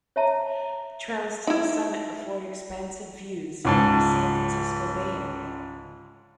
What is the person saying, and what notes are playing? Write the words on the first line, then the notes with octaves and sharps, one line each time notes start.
Trails to the summit afford expansive views of the San Francisco Bay Area.
C#5 E5 A5 A#5
D#4 E4
C#2 G#2 A5